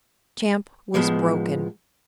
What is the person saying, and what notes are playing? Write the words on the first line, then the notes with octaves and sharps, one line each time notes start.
Champ was broken.
A2 F3 G#3 B3